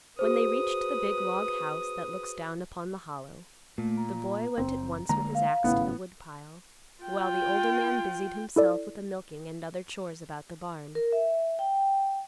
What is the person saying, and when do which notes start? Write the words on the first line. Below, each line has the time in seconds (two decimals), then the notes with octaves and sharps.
When they reached the big log house that looks down upon the Hollow, the boy went at once with his axe to the woodpile, while the older man busied himself with the milking and other chores about the barn.
0.19 F#4 G#4 B4 C5 D#6
3.78 A#2 A3
3.97 A#5
4.58 F#1 C4
5.09 D3 G#3 A#3 A#5
5.35 F5
5.64 G#1 A2 C#3 B3
7.04 F4 G5
8.56 E4 A4 D5
10.95 A#4
11.12 E5
11.59 G5